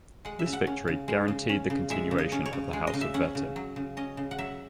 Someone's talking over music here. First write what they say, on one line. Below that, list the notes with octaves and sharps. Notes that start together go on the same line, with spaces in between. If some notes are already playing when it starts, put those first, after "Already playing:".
This victory guaranteed the continuation of the House of Wettin.
G#3 F#5
E5
C#3
F#5
C#4
C#3
G#3
C#3
C#4
C#3
G#3 E5
C#3
D#5
C#4
C#5
C#3
G#3
D#5
C#3
E5
C#4 F#5
C#3
F#3
C#3
C#4 D#5
C#3
F#5
F#3 E5